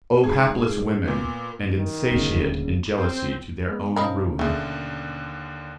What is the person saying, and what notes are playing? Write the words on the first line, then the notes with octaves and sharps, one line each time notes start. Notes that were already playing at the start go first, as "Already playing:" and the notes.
O hapless women, and insatiate in jealousy to their own ruin!
G#2 G#4
A#2 B3
D#3
D#1 D2 C#3
C4
G#3 B3
B2 F3 C#4 D#4 A#4 B5
D#2 D3 A3 G#4